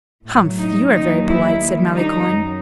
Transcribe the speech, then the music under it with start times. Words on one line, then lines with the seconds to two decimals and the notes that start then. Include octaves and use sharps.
"Humph! you are very polite!" said Malicorne.
0.25 A2 F#3
0.58 D#4
0.93 D#2 D#3 F#3 D#4
1.28 E4
1.61 D#2 D#3 G3
1.95 D#4
2.30 F#2 F#3